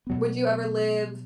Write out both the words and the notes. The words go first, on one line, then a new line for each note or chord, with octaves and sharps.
Would you ever live
B2 F#3 B3